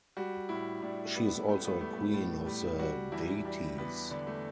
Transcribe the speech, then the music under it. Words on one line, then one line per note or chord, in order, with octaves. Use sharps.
She is also a Queen of the deities.
G3 F#4
A2 E4
A2 D4
G3 B3
A2 A3
B3
G3 A3
A3
A2
G3
G3 F#4
E2 E4
G3 D4
G3 B3
D3 D4
A3